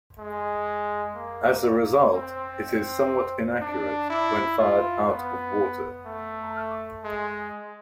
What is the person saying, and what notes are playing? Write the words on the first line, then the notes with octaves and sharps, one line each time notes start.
As a result, it is somewhat inaccurate when fired out of water.
G#3
A#3
C4
D4
E4
F4
B3
A3
G#3